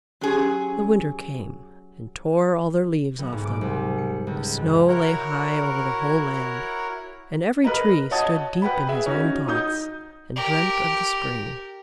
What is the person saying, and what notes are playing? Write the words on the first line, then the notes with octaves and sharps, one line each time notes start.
The winter came and tore all their leaves off them, the snow lay high over the whole land, and every Tree stood deep in his own thoughts and dreamt of the spring.
F#3 C#4 G4 G#4 C6
B1
G#2
D6
C2
C#7
C#2
F#2
E4 F#4 A#4 C#5
A#4 B4 D#5 A#5
C#5 D#5 F#5 A5 D#6 G#6
B4 F#5 G5 B5
G#4 E5
C#4 D#4 F#4
D#4 D#6 G6
G4 A#4